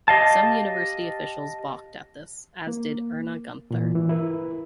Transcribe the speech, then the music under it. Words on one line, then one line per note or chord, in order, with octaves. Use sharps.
Some University officials balked at this, as did Erna Gunther.
G4 D#5 F5 A5
A#3
A#2 E3
G#2 E3
E4 A#4 B4